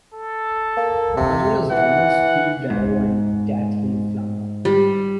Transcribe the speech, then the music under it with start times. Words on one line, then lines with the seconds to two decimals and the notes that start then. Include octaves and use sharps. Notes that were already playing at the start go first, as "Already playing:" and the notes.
As well as drummers Steve Darrow and Cathy Flanga.
0.14 A4
0.77 A#3
1.17 C3
1.71 E3 F#5
2.70 G#2
4.65 G3